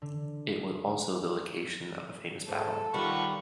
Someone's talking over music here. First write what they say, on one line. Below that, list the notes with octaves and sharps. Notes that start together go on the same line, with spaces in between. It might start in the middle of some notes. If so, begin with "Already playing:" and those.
It was also the location of a famous battle.
D3
G#2 A4
D#3 G3 F4 G4 B4 F#5 C#6